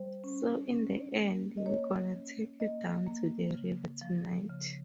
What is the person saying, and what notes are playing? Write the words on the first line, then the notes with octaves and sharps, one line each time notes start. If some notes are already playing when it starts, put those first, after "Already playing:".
So in the end, we're gonna take you down to "The River" tonight.
Already playing: G3 C5
C#4
C#4
A#3
D#5
A#3 C#5
C#4
A#3 D#5
A#3
C#3
F3
C#3